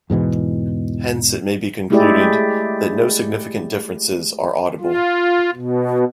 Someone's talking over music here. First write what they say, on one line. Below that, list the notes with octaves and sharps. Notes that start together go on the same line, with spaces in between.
Hence it may be concluded that no significant differences are audible.
E2 G#2 B2 E3
G#3 A3 E4 G4 G#4 D5
F4
B2